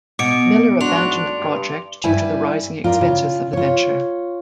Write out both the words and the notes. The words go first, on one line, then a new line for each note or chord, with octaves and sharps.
Miller abandoned the project due to the rising expenses of the venture.
B2 D6 C#7 D7
G#1 A2 D4 F#4 C6 F7
G2
G2 G3 E4 B4 G#5
F4 A#4 D5
C#3 F4
F4 C#5